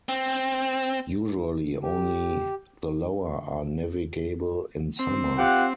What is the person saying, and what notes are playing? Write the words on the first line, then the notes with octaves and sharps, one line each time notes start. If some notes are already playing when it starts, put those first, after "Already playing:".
Usually only the lower are navigable in summer.
C4
G4
C4
F4 G4 F#5